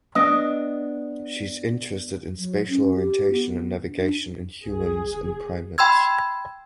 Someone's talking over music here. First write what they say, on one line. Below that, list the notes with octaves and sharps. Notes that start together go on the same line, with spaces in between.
She is interested in spatial orientation and navigation in humans and primates.
B3 D4 D#5
F#3
C#4
G4
B3
D4
C2 G#4
F#1
G5 B5 C6 E6 G#6